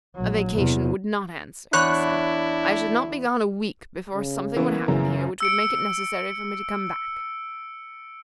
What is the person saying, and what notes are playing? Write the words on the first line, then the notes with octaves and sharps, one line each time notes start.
"A vacation would not answer," he said. "I should not be gone a week before something would happen here which would make it necessary for me to come back."
A#1 F#3
E2 C3
E2 D4 E4 C#5 F#6
C#3
E3 A#3 B3 C#4 E4
F#2 C#3 E3 A#5
E6 C#7 D7